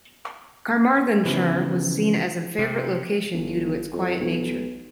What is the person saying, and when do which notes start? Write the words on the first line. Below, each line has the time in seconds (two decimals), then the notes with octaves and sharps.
Carmarthenshire was seen as a favourite location due to its quiet nature.
1.25 C#3 E3 F3 B3 C4
2.59 C3
3.33 G1
3.93 F2
4.20 B1